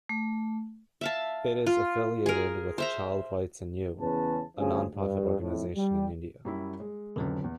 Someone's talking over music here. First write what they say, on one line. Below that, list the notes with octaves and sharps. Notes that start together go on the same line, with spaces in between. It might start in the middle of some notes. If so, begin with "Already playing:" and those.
It is affiliated with Child Rights and You, a non-profit organization in India.
A3
E5 F5 A5
F4
G#4 A#4
C5 E5 A#5
E2 C#3 C#4 B4 A5
D2 C#3 F3 C#4 G#4
G2
F2 A2
G3
F#2 G3 E4
G#3
F1 C#2 D3 F#3 C4
E2